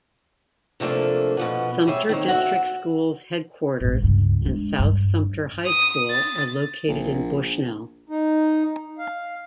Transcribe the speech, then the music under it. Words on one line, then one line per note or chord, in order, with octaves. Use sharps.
Sumter District Schools headquarters and South Sumter High School are located in Bushnell.
C3 F3 A3 A#3 D4
B2 F3 B3
G3 G#4 C#5 E5
D#3 C4 C#5
F#4 C#5 E5
A1 G#2
C#2 G2
G#3 D4
G2
D#6
A6
A#1
D#4
F5